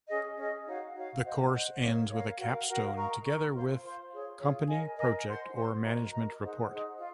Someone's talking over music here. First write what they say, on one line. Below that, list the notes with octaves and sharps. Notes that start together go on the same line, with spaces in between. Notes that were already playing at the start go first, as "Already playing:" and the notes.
The course ends with a capstone together with company project or management report.
C#4 G#4 D#5
C#4 G#4 D#5
D#4 F#4 C#5 F5
D#4 F#4 C#5 F5
C5 D#5 F#5
C5 D#5 F#5
A#4 C#5 F5
A#4 C#5 F5
F#4 A#4 F5
F#4 A#4 F5
A#4 D#5 A#5 C#6
A#4 D#5 A#5 C#6
F4 C5 F5 C6
F4 C5 F5 C6
F4 G#4 C#5
F4 G#4 C#5
A#4 D#5 G#5
A#4 D#5 G#5
C5 F#5 C6
C5 F#5 C6
F#4 A#4 D#5 A#5
F#4 A#4 D#5 A#5
D#4 G#4 C5 F#5
D#4 G#4 C5 F#5
F4